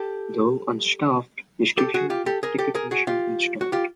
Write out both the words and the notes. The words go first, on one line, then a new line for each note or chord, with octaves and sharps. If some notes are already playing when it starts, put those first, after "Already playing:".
Though unstaffed, the station has a ticket machine installed.
Already playing: G4 A4
G4 A4
F#4 G#4
F4 G4
G4 A4
G#4 A#4
G4 A4
G#4 A#4
F#4 G#4
F4 G4
F#4
F4 G4